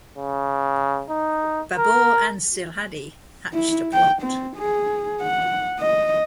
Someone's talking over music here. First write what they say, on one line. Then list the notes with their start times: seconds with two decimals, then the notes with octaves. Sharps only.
Babur and Silhadi hatched a plot.
0.18 C#3
1.10 D#4
1.77 A#4
3.54 E4
3.93 G5
4.22 C4
4.57 G#4
5.22 F#5
5.80 D#5